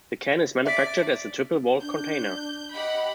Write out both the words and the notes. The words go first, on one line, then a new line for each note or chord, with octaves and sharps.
The can is manufactured as a triple-walled container.
D5 E5 B6
D4 G6
G4 D#5 F#5 B5